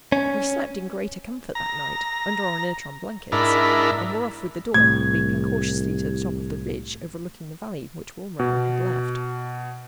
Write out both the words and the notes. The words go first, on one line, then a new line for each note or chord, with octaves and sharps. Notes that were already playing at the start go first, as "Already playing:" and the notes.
We slept in greater comfort that night, under our inertron blankets, and were off with the dawn, leaping cautiously to the top of the ridge overlooking the valley which Wilma and I had left.
C#4
A#5
G#2 D4 E4 A#4 B5
C2 A2 G#6
B2